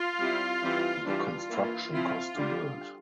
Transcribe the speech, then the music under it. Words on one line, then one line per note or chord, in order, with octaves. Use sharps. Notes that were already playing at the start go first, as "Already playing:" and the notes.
The construction cost to build.
Already playing: F4
G3 C4 E4
E3 G3 C4 E4
E3 G3 D4 F4
E3 A#3 E4
F3 C4 E4 F4
D3 G3 D4